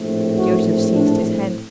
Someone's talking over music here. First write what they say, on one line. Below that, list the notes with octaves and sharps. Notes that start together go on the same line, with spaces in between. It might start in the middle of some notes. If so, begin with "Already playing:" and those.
Joseph seized his hand.
Already playing: A#1 A2 A3 C4
F#4
D4